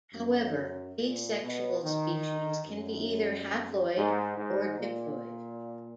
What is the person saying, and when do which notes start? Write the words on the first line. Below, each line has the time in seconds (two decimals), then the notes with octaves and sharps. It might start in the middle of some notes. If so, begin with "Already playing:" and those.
However, asexual species can be either haploid or diploid.
0.14 F#2
0.98 A#2
1.41 B2
1.83 D#3
2.68 F#2
3.96 G#2
4.37 G#2
4.80 A#2